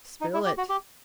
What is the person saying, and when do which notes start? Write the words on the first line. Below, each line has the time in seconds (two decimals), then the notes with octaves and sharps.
"Spill it."
0.21 D#4
0.34 E4
0.46 G4
0.58 F#4
0.69 G4